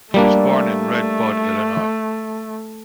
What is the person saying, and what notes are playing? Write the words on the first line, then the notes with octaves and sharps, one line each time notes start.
He was born in Red Bud, Illinois.
G3 A3 A#3 D4